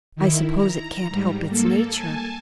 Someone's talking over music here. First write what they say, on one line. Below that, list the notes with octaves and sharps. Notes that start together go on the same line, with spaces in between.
I suppose it can't help its nature.
D#3 E4
A#5
G#2 G3
A#3 A4
G#5 A5